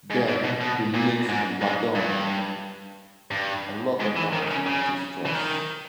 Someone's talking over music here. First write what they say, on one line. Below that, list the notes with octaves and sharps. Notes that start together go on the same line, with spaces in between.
There, he meets the "Madonna", a local damsel in distress.
G#2
G#2
B2
B2
A#2
G#2
G#2
G2
G2
G#2
E3
D#3
C#3
C#3
E3
D#3